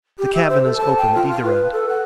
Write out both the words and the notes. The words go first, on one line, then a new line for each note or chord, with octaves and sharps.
The cabin is open at either end.
G4
E5
C5
A4
A5
G5
F4
F5
B4
A4
F#5